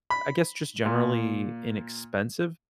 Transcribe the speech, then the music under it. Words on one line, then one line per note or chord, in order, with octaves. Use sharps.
I guess, just generally inexpensive
B5
A#2